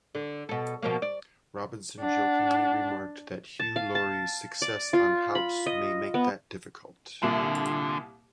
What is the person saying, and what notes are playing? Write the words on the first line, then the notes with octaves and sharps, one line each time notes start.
Robinson jokingly remarked that Hugh Laurie's success on "House" may make that difficult.
D3
B2 A4
B2 F3 A#3
D5
D4 F#5
A5
F5
A5
D5
F4
B5
D#5
B3
C2 A#2 D3 A#3